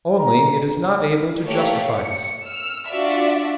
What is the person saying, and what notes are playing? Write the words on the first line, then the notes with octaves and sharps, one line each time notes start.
Only it is not able to justify us.
A#5
A3 A#3 G4 C#5 D5 F5
C#7
E6 F6
D4 F4 F#4 D5 E5